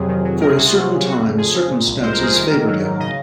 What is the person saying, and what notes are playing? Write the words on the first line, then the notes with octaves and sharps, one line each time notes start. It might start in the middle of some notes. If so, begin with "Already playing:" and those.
For a certain time circumstances favoured him.
Already playing: F2 C3 F#3 G#4
D#3
F#3
C3 A#4
G#4
C2 F#4
F4
F#3
C2
C#3 F#4
F2
F3 G#4
F2
A#2
C2
G#3 C5
A#4
C2 G#4
D#3 A#4
G#2
F#3
G#2
C#3 D#5